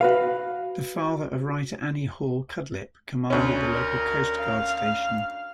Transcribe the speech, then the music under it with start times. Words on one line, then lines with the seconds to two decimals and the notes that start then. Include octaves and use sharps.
The father of writer Annie Hall Cudlip commanded the local Coastguard station.
0.01 F#4 B4 F5
3.30 D2 C#4
3.66 A#4
4.38 F5